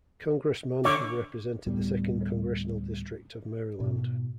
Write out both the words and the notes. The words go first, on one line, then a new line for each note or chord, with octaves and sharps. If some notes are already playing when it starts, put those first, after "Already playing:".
Congressman who represented the second Congressional district of Maryland.
D3 C#5 D6
D2 A2 G3 B3
G#2 B2